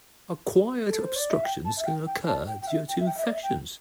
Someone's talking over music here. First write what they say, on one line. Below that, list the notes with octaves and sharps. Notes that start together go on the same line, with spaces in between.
Acquired obstructions can occur due to infections.
A4
C5
D5
E5
G5
A5
E5
G5
G5
A5
G5
G5
E5
G5
E5
G5
E5
D5
E5
G5